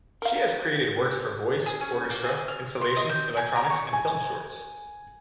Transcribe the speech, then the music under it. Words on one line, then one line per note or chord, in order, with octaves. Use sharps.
She has created works for voice, orchestra, installations, electronics and film shorts.
A#4 F5
G#4
C#4
A#3
G#4
F6
C6
D#5
G6
G#5
A#4
C#6
G#5